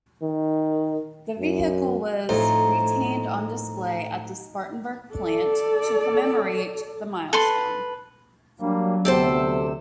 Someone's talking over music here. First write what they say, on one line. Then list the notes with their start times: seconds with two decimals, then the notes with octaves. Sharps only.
The vehicle was retained on display at the Spartanburg Plant to commemorate the milestone.
0.23 D#3
1.39 F#2
2.29 F2 A2 D#4 C5 G#5
5.14 A4 D5
7.33 A4 B4 C6
8.61 F#3 G3 A#3 D4
9.05 D2 C3 B3 G4 A4 C5 E6